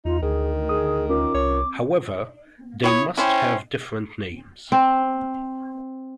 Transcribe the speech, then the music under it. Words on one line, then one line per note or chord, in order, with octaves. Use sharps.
However, they must have different names.
E2 D#4 F4
D2 D#3 G#4
G#4 D#6
C#4 F4 A#4 D6
C2 C#5
E4 C#5 G5 D#6
C#4 E4 C5 G5
C4